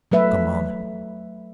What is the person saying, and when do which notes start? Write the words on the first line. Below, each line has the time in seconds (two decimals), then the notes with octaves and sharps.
Come on!
0.12 F#3 A3 B4 E5